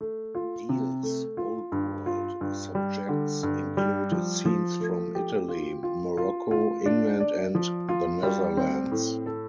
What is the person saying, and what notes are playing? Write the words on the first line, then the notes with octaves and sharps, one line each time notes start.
Diehl's Old World subjects include scenes from Italy, Morocco, England, and the Netherlands.
A3
F4
C3
A3
F4
G2
F4
G2
G3
D3
G2
G3
F3
F3
A3
G4
F4
F4
F4
F4
D4
D5
F3
F4
G3
C4
A2
A4